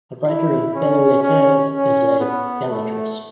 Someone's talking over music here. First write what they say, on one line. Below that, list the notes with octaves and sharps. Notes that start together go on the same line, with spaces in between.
A writer of "belles-lettres" is a belletrist.
E4
C#4
C#4
C#4
B3
A3